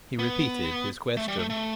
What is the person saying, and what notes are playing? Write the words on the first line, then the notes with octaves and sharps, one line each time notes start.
He repeated his question.
B3
A3
G3
A3
A3